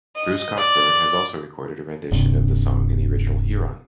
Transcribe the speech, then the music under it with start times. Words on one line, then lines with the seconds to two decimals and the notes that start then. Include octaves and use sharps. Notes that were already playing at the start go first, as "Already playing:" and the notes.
Bruce Cockburn has also recorded a rendition of the song in the original Huron.
0.17 D#5
0.57 D5
2.11 D#1 G2 C3